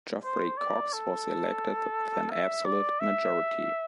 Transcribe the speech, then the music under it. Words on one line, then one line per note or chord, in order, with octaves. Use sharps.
Geoffrey Cox was elected with an absolute majority.
C5
D5
A4
E5
D5
E5